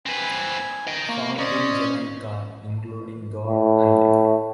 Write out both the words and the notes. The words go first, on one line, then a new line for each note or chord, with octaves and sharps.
Found in Jamaica, including Goat Island.
C4 B4 G#5
D#5 G5
A#3 A#5 C#6
C#4 C5 D5 D#5
A2